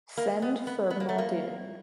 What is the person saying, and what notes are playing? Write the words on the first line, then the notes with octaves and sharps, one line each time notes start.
Send for Muldoon!
A#3
B3
B3
B3
A#3
A3
A#3